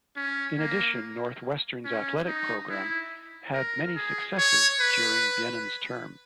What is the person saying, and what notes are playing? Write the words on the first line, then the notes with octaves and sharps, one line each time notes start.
In addition, Northwestern's athletic program had many successes during Bienen's term.
C#4
A#3
C#4
D#4
E4
A#4
G#4
C#5
B4